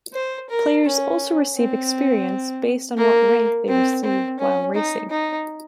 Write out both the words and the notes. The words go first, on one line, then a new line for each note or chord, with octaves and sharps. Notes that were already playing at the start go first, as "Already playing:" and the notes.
Players also receive experience based on what rank they receive while racing.
C5
A#4
C#4
C4
A#3
C4
C4
C#4
D#4
D#4